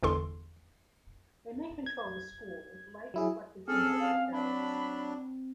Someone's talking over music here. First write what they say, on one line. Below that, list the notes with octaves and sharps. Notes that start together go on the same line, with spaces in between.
They may control the school with light reflected from their white bellies.
G1 E2 A4 C6
G#6
F#3 E4 G#4
C4 C#4 G#4 A4 F6
F5
F#3 C4 D4 B5